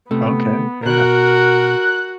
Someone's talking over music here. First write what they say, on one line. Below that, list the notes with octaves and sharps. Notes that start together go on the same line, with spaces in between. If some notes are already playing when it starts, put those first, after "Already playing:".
Okay. Yeah.
C3 A3 B3
B2 F#4 A#4 F#6